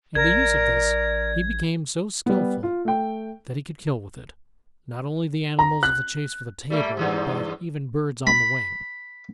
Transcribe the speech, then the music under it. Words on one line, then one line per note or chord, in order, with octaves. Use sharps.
In the use of this he became so skilful, that he could kill with it not only the animals of the chase for the table, but even birds on the wing.
A1 A#4 D5 G#6
G3 B3
F4
A3 G5
A#5
F#6
G3 A3 A#3
G2 E3 G#3
B5